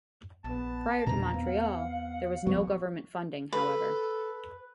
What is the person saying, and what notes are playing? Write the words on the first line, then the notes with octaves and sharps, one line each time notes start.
Prior to Montreal, there was no government funding, however.
A#1 B3 A5
E2 A#2 A#3 D4 A#5
B3 C4 F5
F#5
F3 B3 C#6
A4 B4